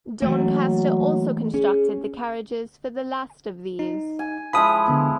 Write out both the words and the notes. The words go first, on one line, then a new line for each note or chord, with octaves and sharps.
Doncaster also constructed the carriages for the last of these.
E3 F#3 A3 A#3
C#4 G#4
D#4
G#5
F3 G#3 E4 B5 D#6
D3 B3